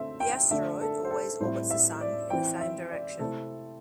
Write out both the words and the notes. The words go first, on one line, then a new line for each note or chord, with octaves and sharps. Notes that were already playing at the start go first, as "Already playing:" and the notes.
The asteroid always orbits the Sun in the same direction.
Already playing: D3 A3 C4 E5
G5
D3 A3 D4 E5
A4
C5
A4
A2 G3 C4 E4 C5
E5
D5
E3 C4 E4 G5
E5
D5
C3 A3 C4 E4 A4